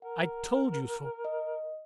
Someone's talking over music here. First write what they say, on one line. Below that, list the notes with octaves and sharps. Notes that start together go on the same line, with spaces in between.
I told you so.
A#4 F#5
D#5